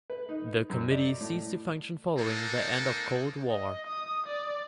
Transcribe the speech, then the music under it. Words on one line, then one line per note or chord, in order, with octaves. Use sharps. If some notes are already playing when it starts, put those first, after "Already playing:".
The committee ceased to function following the end of Cold War.
B4
D#4
F#2
D5
A2
G#3 A#3 C4 D#4 A4
D#5
D#6
D5